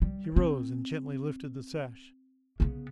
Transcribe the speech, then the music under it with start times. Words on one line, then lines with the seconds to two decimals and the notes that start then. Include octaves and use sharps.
He rose and gently lifted the sash.
0.02 G3
0.36 C4
2.60 C#3 B3